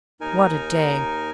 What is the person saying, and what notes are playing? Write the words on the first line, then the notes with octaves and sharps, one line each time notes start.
What a day!
D#2 D#4 A#4 G#5